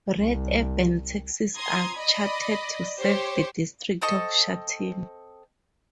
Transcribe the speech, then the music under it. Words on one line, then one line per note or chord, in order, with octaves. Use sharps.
Red urban taxis are chartered to serve the District of Shatin.
C2
A#5 C6 D#6 G#6
D5 D#5 B5
G4 C5 C#5
C4 A4 D#5 C#6